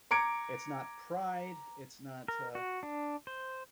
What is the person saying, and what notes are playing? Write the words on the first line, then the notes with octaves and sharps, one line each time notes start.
it's not pride, it's not, uh
A#5 D6 G#6 C#7 D7
A#4
F#4
D4
C5